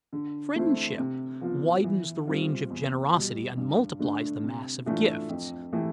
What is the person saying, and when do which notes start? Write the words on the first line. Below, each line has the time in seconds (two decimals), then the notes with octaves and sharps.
Friendship widens the range of generosity and multiplies the mass of gifts.
0.13 D3
0.56 A3 C4 E4
0.99 C3
1.41 F3 B3 F4
1.84 E3
2.27 G3 C4 F4
2.70 E2
3.14 B2 G3
3.57 G2
3.99 D3 A3 D4
4.43 C3
4.86 E3 A3 D4 F4
5.29 F2
5.73 E3 A3 E4 G4